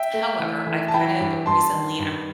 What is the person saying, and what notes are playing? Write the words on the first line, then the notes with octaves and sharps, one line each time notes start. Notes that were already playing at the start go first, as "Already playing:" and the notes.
however, I've, kind of, recently I'm
Already playing: E5 G5
A3
E3
E3
A5
E3 G5 B5
G2
G2 A5 C6
D#3
G2